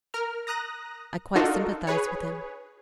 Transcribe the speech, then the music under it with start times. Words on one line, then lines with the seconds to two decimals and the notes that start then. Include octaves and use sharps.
I quite sympathise with him.
0.14 A#4 F6
0.47 A#5 D#6 F#6 A#6
1.36 D4 D#4 F4 F#4 A4 A#4
1.87 G#4 B4 C#5